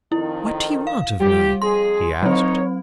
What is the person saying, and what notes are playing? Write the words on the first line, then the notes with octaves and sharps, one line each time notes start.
"What do you want of me?" he asked.
F2 D#3 E4
F5
G3 G4
F2 G#4 C6
D#3 F#3 C4 D#4 C#5